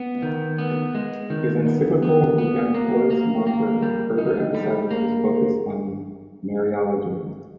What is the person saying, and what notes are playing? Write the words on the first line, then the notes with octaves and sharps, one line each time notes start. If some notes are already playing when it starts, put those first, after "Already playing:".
His encyclical "Redemptoris Mater" further emphasizes his focus on Mariology.
Already playing: B3
D#3
B3
G#3
D#3
B3
B3
B3
A#3
A#3
A#3
G3
D#4
G3
A#3